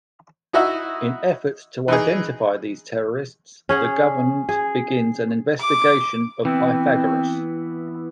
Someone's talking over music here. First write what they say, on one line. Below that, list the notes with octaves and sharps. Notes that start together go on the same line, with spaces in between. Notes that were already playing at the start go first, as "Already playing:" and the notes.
In efforts to identify these terrorists, the government begins an investigation of Pythagoras.
D#4 E4 F#4 D#5 E5
E3 D#4 G#4
C#4 G#4 F#5
G#4
D6
E3 B3 C4 E4